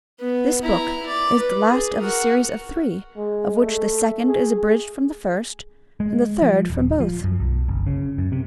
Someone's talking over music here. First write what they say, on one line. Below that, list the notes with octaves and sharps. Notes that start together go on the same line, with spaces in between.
This book is the last of a series of three, of which the second is abridged from the first, and the third from both.
B3
E4 A#5
D5
B4
G#4
F#4 A#4
G#3
A3
G#4
G#3
F3
D#1
F3
F#2
B1
F#1
C#3
F#2
C3